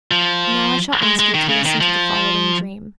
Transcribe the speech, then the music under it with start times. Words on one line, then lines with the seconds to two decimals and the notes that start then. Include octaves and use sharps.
And now I shall ask you to listen to the following dream.
0.11 F3
1.03 G#3
1.19 G#3
1.34 D#3
1.49 C#3
1.66 D#3
1.81 F3